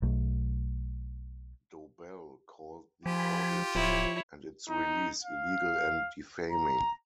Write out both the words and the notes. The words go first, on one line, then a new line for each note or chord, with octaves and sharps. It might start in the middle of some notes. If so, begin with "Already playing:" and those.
Dobelle called the audit and its release illegal and defaming.
B1 A3
F3 F4 G4 G#5 B5
D1 F3 E4 C#5
D#4
F5
A#5